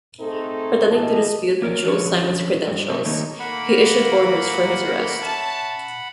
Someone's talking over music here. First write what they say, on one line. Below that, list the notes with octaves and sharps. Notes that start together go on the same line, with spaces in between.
Pretending to dispute Jules Simon's credentials, he issued orders for his arrest.
A3 C4 D#4 G#4 A4
B2 E3 G4 D#5 A5
A#3 A#4 C#5 D5
D3 F3 B3 C#4 C#5
G2
C3 A3 C4
D#3 A3 A#3 D#4 C#5
D#3 A3 A#3 F#5 B5
C#4 E5 A5